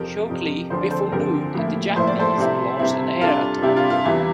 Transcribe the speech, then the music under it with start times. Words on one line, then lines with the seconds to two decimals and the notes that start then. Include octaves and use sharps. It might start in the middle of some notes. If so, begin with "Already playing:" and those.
Shortly before noon the Japanese launched an air attack.
Already playing: F2 C3 F3 G4 A#4
0.29 F2 C3 F3
0.70 D2 D3 F3 C4 C5
0.81 D5
0.90 A4 C5
1.12 D2 D3 F3 C4 G4 A#4
1.54 A2 F3 A#3 E4
1.96 A2 F3 A#3 E4 C5
2.07 D5
2.19 A4 C5
2.38 C3 G3 C4 E4
2.79 C3 G3 C4 E4
3.21 C3 G3 D4 F4 A4
3.62 C3 G3 D4 E4 G4
3.77 F4
3.90 F4
4.05 E2 E3 G3 E4